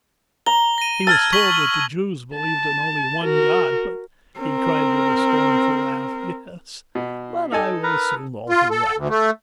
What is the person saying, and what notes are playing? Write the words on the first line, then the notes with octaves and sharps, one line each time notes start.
He was told that the Jews believed in only one God, but he cried with a scornful laugh, 'Yes, but I will soon alter that!'
A#5 G7
A#6 D#7
A5 E6 F6 G#6
C#6 B6 F#7
A5
F#4 A#4
C4 A#4
B2
D#4 A4 G#5
A#4 B4 A#5
F4
A4
D2
A3